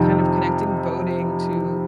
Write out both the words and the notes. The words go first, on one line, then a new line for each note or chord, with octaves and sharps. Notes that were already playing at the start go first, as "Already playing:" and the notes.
kind of connecting voting to
Already playing: F2 C3 D#3